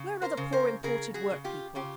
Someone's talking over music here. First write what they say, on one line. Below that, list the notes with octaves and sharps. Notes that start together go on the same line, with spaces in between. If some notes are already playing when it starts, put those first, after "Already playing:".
'Where are the poor imported work-people?
Already playing: C#3
A#4 C5
C#3
A#4 C5
C#3 G#4 A#4
F#4 G#4
C#3
F4 G4
C#3 F4 G4